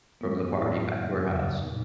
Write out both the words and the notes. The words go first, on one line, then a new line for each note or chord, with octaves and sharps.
from the party back to her house,
F#2 D#3 G#3 B3
A2 F#3 B3 E4
F2 C#3 F#3 A#3
D#2 C#3 F#3
A#2 F#3 B3 D#4